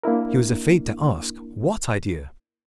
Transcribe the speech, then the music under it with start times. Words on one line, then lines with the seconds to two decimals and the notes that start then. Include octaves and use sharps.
He was afraid to ask what idea.
0.04 A#3 D4 E4 A#4